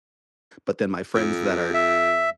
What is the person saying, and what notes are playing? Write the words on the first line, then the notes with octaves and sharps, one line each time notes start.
But then my friends that are
F2
E5